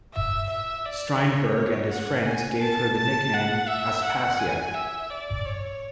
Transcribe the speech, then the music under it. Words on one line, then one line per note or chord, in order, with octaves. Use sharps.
Strindberg and his friends gave her the nickname 'Aspasia'.
E5
E5
D5
C#5
F#5
G#5
A5
A5
F#5
E5
F#5
G#5
E5
D5
C#5